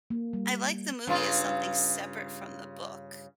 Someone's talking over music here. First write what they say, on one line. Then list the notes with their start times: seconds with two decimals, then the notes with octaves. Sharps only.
I like the movie as something separate from the book,
0.10 A#3
0.33 G3
1.07 G2 C#3 F4